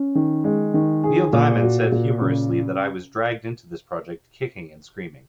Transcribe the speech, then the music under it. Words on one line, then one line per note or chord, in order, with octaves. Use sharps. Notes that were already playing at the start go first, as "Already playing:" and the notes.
Neil Diamond said humorously that I was dragged into this project kicking and screaming.
Already playing: C#4
D#3
G#3
D#3
G#4
A#2
F#4
A#2
C#3